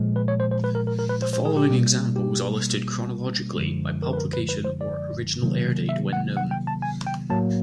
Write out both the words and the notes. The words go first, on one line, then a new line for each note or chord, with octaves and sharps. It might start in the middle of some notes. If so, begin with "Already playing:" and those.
The following examples are listed chronologically by publication or original air date, when known.
Already playing: A#2 F3 G#3
B4
C#5
C5
C5
B4
A#4
A#4
A#4
B4
C5
C5
G#4
G4
B2 G3 A#3
G4
F#2 D3 F3 G#3
A#4
B4
A#4
B4
B4
C5
D5
C3 D#3 F#3 A#3
E5
F#5
F#5
G5
A5
G#5
G5
A2 F#3 A#3 A5